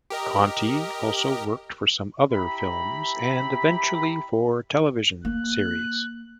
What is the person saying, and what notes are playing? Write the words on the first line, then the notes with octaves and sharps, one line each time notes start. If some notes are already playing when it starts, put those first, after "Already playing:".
Conti also worked for some other films and, eventually, for television series.
G4 A#4 D#5
E4 G4 A#5 B5
A#3 F#6